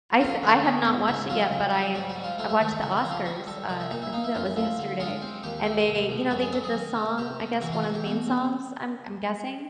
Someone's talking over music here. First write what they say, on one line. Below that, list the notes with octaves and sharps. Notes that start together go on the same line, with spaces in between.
I s I have not watched it yet, but I I watched the Oscars, uh, I think that was yesterday, and they you know, they did the song, I guess one of the main songs, I'm I'm guessing.
F2 F4
D3
B3
G#2
C#2 E4
F#3 F4
C#3
F#3
G#2 F#4
F#4
G#2
F4
A3 F4
E4
D#3 E4
D#4
C#3 E4
E4
F3
F4
G3 F#4
G3 A4
C2 D#4
E4
A#2 D#4
E4
A#3 D#4
E4
F#2 F4
E4
F3 E4
D3
G#3 F4
C4
D#2 G4
A3
C2
B2
F#2 F#4
G#4
F#3 A4
G#4
D#3
C3
C3 G4
C3
E3 F#4
F4
E3 F#4
G4
B2 F#4
B2